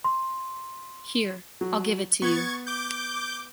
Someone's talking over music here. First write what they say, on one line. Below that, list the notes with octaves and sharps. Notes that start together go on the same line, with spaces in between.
Here, I’ll give it to you.
C6
F#3
B3 C#6 G#6 A6
D6 G6